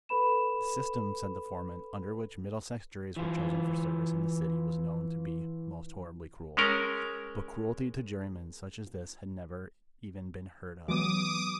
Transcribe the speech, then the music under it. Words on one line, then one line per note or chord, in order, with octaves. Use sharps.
The system, said the foreman, under which Middlesex juries were chosen for service in the City was known to be most horribly cruel;--but cruelty to jurymen such as this had never even been heard of.
A4 B4 B5 E7
E3 F4
G#3 C#4 A#4
E3 F#3 G#3 B3 D6 D#6